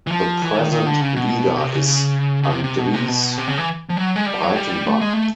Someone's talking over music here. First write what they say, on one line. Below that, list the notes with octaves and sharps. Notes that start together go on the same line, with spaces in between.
The present leader is Andries Breytenbach.
E3
F3
E3
D#3
D#3
D3
C#3
B2
C3
C#3
C#3
C3
C3
B2
C3
B2
C3
C#3
E3
F3
F#3
G#3
G3
F#3
G3
A3
G#3
A3